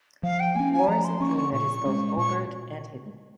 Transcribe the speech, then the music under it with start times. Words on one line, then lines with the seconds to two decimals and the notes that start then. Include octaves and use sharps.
War is a theme that is both overt and hidden.
0.23 F3 F5
0.39 G5
0.55 A#3 C#4 G#5
0.72 G#5
0.88 F3 A#5
1.04 C6
1.21 A#3 C#4 C#6
1.37 C#6
1.53 A#2 C#6
1.85 G#3 C#4
2.18 A#2 C#6